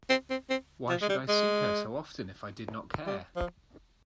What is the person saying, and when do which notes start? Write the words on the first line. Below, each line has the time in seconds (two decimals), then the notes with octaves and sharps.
Why should I seek her so often if I did not care?
0.10 C4
0.30 C4
0.50 C4
0.89 F3
1.01 G#3
1.10 G3
1.29 G#3
3.07 G3
3.36 F3